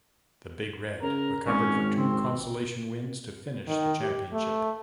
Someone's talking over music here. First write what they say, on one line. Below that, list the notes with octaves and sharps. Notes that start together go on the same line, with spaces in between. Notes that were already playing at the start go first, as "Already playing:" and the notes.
The Big Red recovered for two consolation wins to finish the championship.
C#3 A#4
G#1 C#4
C4
D#3
G4
A3